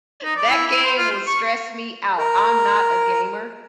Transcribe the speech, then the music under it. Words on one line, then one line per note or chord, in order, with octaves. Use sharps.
That game will stress me out, I'm not a gamer.
D#4
D5
E4
E4
C5
F4
C5
C#6
A#4